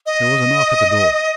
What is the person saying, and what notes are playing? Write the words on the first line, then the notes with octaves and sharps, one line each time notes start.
There was a knock at the door.
D#5